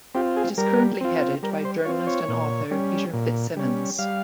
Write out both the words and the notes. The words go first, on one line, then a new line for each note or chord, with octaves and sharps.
It is currently headed by journalist and author Peter FitzSimons.
C4 F4 G4
G#4
G3 A#4
C4 F4
G3 A#4
C5
C4 F4 C#5
C#5
A#2
G3 C#4
A#2
G3 C#4
G3 F5